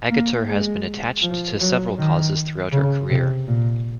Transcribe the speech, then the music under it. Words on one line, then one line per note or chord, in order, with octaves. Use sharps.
Agutter has been attached to several causes throughout her career.
A#3
G#3
F3
F#3
D#3
C#3
C3
A#2